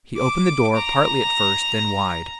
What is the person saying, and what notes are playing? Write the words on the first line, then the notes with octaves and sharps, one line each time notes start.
He opened the door, partly at first, then wide.
D6
A#5